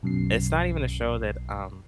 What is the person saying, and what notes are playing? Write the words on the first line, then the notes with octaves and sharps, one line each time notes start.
it's not even a show that, um,
B1 F#2 C7